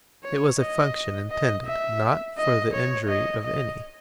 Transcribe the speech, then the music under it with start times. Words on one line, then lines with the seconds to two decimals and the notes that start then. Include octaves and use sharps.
It was a function intended not for the injury of any.
0.24 C#5
0.60 D#5
1.31 D#5
1.66 E5
2.38 D#5
2.73 C#5
3.09 D#5
3.45 D#5